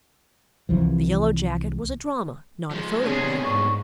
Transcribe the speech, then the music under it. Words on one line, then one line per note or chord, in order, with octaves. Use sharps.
The Yellow Jacket was a drama, not a photoplay.
C2 E3 F3
F3 G#3
A2 C3 B3 D4 G#4 C#5
G#2 C#6